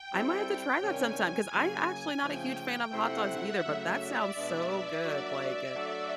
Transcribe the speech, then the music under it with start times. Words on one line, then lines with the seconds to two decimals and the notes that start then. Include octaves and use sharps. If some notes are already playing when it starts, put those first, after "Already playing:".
I might have to try that sometime, 'cause I actually not a huge fan of hot dogs either, but that sounds so good, like, uh,
Already playing: G5
0.12 G3 C4 E4 A4
0.48 G5
0.82 C3 D#3 G3 A#3 C#4 G#5
1.52 C#3 F#3 A#3 G#5
2.23 C#3 F3 A3 G5
2.93 C3 F3 A3 C4 E4 F#5
3.29 E5
3.63 C#3 F#3 A3
3.99 D5
4.34 B2 G#3 B3 D4
5.05 F#3 A#3 D4 F#4
5.75 F#3 A3 D4 F#4 A4